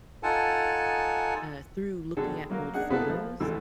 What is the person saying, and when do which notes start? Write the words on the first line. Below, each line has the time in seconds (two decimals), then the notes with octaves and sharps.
uh through looking at old photos,
0.23 D#4 F4 A4 F#5 G#5 A5
2.17 B2 D3 D#3 G#4 A4
2.50 F#3 A#3
2.74 D4 D#4 G#4 F#5
2.89 A#3 B3 E4 G#4 A4
3.10 F3
3.40 D2 E3 A3 E6